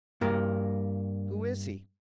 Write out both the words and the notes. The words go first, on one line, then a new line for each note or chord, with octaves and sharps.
Who is he?
G2 A#3